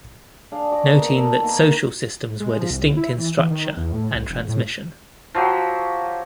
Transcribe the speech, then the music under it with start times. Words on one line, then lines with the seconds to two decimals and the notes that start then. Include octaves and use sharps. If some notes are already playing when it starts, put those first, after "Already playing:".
Noting that social systems were distinct in structure and transmission.
0.52 D4 G#4 D5 F5
0.71 F#4 D5 D#5
0.86 A#3 B3
1.16 A4
1.42 D#3 A#3 F#4
2.40 G#3
2.59 F3
2.70 C2
2.96 E4
3.18 E3
3.37 E3
3.50 D#3
3.77 E2
3.92 A2
4.15 C2
4.29 E1
4.48 A2
5.35 F3 F#3 G4